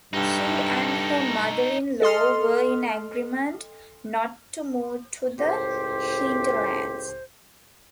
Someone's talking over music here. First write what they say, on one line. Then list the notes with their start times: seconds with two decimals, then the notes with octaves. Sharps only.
She and her mother-in-law were in agreement not to move to the hinterlands.
0.13 G2 D#4 A4
2.02 A4 D#5 C6 F6
5.39 C#2 A2 G4 C5